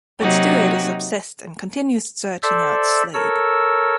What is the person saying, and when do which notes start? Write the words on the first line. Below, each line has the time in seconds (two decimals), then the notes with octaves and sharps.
But Stuart is obsessed and continues searching out Slade.
0.19 C3 F#3 A#3 D#4 F#4 G4
2.43 A4 C5 D5 E5
3.14 A4 A#4 C#5 E6